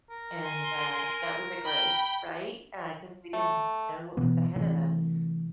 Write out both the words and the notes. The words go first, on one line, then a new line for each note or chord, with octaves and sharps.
and, uh, that was a grace, right? Uh, 'cause we didn't know what was ahead of us.
A#4
G#5 C6
G5 B5
A3
B2 E3 B3
C3 E3 A3